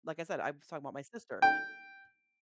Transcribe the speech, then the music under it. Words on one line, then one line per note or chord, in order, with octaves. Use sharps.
like I said, I was talking about my sister.
G5